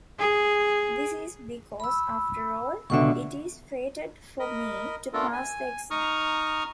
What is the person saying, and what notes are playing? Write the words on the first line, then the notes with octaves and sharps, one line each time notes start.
This is because, after all, it is fated for me to pass the exam.
G#4
B5 E6
C#2 B2 D3 E5 F#5 C#6
A#4 D#5 B5
A3 B3 D4 F4 A4 A#4
G#5
D#4 A#5 C#6 D#6 F6